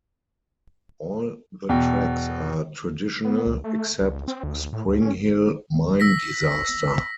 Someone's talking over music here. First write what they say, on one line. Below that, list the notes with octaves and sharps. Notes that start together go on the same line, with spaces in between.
All the tracks are traditional except "Springhill Mine Disaster".
E2 B2 G5
B3
C#2
A3
C#2
C4
D2
A2
D2
C#4
E6 A#6 B6